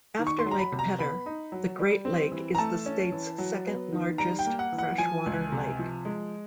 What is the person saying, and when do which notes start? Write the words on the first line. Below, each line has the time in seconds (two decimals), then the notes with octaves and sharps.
After Lake Pedder, the Great Lake is the state's second largest freshwater lake.
0.19 D#3
0.27 C#6
0.39 C6
0.46 F#3
0.51 A#5
0.59 B5
0.72 C3
0.79 A#5
0.99 B3 B5
1.26 D#4
1.52 F#3
1.79 G3
2.05 C4
2.32 E3
2.55 A#5
2.58 A3 A5
2.86 C#4
3.12 E3
3.38 F#3
3.66 B3
3.93 D#3
4.18 G3 A#5
4.39 G5
4.46 A#3
4.59 F#5
4.72 E3
4.78 F#5
4.98 F3 G#5
5.26 C#2
5.52 C3
5.79 F3
6.05 G#3